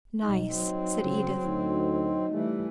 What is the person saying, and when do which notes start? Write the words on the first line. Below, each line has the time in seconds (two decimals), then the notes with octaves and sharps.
"Nice!" said Edith.
0.23 B1 G3 D#4
0.54 F#3 C4
1.02 C#3
1.45 D2 D#4
2.33 E3 G3 A3